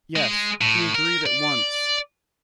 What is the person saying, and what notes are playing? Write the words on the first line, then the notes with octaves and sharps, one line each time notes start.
"Yes; he agreed at once."
G#3
A2
A#4
D5